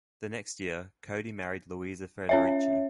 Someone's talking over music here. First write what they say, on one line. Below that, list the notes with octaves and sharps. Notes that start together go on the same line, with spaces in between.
The next year, Cody married Louisa Frederici.
C#4 C#5 E5